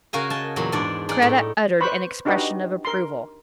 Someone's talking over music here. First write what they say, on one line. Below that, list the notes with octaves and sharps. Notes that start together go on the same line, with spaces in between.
Kreta uttered an expression of approval.
C#3 F#4 A#4 F5 G#5 A#5
D#5 G#5 A5
E2 A#2 F#3 B5 C6
E2 G#2 D4 D5
D#4 G#4 D5 F#5
A2
B4 C5 B5 C#6
D4 D#4 F#4 G4 B4 D#5
A#4 C6